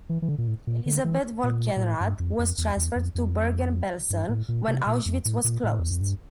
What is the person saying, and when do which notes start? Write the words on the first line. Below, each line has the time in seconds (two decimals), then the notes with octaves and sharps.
Elisabeth Volkenrath was transferred to Bergen-Belsen when Auschwitz was closed.
0.09 E3
0.22 E3
0.29 D3
0.38 A#2
0.48 A2
0.67 A#2
0.86 D3
1.04 E3
1.43 A#2
1.77 A#2
1.81 A2
2.00 G2
2.20 F2
2.39 F2
2.58 E2
2.76 E2
2.96 F2
3.15 F2
4.10 G2
4.29 A2
4.48 A#2
4.68 C3
4.87 A#2
5.06 F2
5.25 A2
5.44 A#2
5.63 A2
5.79 E2
5.91 F2
6.01 G2